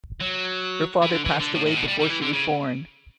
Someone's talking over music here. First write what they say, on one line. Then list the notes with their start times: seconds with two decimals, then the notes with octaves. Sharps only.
Her father passed away before she was born.
0.21 F#3
1.02 E3
1.10 D3
1.25 E3
1.39 D3
1.54 A2
1.66 A2
1.77 B2
1.88 G3
1.99 G3
2.10 E3
2.21 D3
2.33 C#3